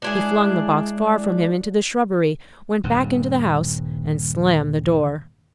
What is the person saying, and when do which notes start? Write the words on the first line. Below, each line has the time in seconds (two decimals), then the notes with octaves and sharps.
He flung the box far from him into the shrubbery, went back into the house, and slammed the door.
0.02 G#3 D4 E4 G#4
2.84 D#1 G2